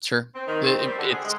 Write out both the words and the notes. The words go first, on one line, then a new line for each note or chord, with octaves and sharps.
Sure, it it it's,
C4
D#3
C4
G3
D3
G#4
G#3